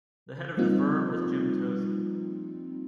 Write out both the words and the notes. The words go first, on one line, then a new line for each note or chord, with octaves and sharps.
The head of the firm is Jim Tozzi.
F3 G3 A#3 C4 D#4 F4